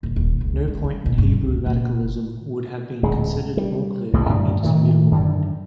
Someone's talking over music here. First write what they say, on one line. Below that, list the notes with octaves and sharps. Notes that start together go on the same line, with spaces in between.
No point in Hebrew radicalism would have been considered more clear and indisputable.
D#1
D#1
C#2
G#2
G3
B2
G2
C2
D2
A#2
F#1
D1 G#3
G3
C2 A2 C#3 G#3
F#2 A2 D3 D4
A2 D#3 E3 A3
F#2 D3 D#3